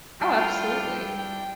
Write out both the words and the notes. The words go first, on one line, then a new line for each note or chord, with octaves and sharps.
Oh, absolutely.
G3 D4 E4 F4 G5
G5